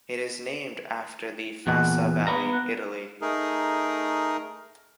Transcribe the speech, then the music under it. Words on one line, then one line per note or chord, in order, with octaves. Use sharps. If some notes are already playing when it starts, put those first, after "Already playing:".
It is named after the Fassa Valley, Italy.
E2 A#2 F#5
B3 A#5 B5
F#5
A3 D#4 G#4 A#4